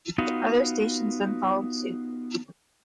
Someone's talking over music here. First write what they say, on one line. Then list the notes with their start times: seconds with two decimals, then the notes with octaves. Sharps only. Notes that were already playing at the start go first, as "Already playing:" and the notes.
Other stations then followed suit.
0.18 B3 D#4 F4 F#4